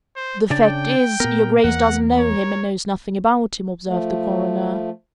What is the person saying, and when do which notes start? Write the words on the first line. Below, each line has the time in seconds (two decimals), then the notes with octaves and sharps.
"The fact is, your Grace doesn't know him and knows nothing about him," observed the Coroner.
0.16 C5
0.50 C#3 D4 D5 G5
1.20 A#2 B3 A#4
1.64 E2 A#3 F#5
2.18 C#5
3.88 F3 A3